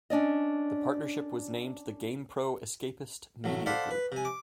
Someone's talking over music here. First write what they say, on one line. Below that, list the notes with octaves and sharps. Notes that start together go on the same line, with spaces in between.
The partnership was named the Gamepro Escapist Media Group.
C#4 D4 D5 D#5
A1 F#3 A3
A4 C5 D5 F5 F#5 B5
B4
C3 G#5
D6